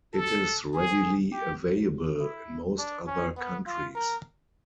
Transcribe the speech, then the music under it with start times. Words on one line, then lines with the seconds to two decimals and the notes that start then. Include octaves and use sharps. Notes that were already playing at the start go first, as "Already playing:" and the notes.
It is readily available in most other countries.
0.14 A4
0.74 G#4
1.32 G4
2.19 E4
2.79 D4
3.07 C#4
3.37 B3
3.66 F4
3.95 A#4